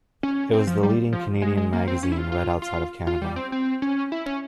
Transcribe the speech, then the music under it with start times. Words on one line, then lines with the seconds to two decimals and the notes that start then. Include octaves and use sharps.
It was the leading Canadian magazine read outside of Canada.
0.23 C#4
0.53 C4
0.67 F3
0.83 G3
1.13 F3
1.42 G#3
1.57 G#3
1.73 A#3
1.88 C4
2.03 C#4
2.12 E4
2.18 F4
2.32 F4
2.62 F4
3.07 F4
3.22 G3
3.36 C4
3.52 C4
3.82 C#4
4.12 E4
4.26 C#4